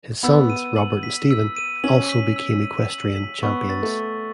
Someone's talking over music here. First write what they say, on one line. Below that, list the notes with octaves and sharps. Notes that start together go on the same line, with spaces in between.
His sons, Robert and Steven, also became equestrian champions.
B3 E6
D#7
F#7
B6
E6
D#7
C#4 F#7
B6
E6
D#7
F#7
B6
B3 C#6
A6
A3
C#6